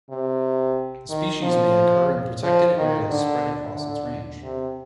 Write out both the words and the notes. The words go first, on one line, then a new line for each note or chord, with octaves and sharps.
The species may occur in protected areas spread across its range.
C3
D#3
F3
F3
D#3
D3
D3
C3